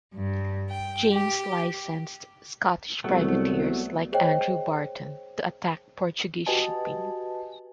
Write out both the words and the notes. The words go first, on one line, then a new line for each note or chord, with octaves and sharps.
James licensed Scottish privateers like Andrew Barton to attack Portuguese shipping.
G2
G5
G4
C2 F#3 A3 B3
G#4 C5 C#5 D#5 G5
F#4 G4 B4 D#5 G#5 A5